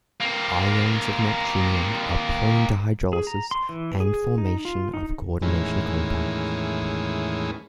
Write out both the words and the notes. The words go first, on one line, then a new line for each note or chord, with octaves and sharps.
Ions of neptunium are prone to hydrolysis and formation of coordination compounds.
A#3 C4
G#4
A#5
C6
E3
G#4
D#4
F4
D#4
E2 A2 D#3 E3 G#3 C#4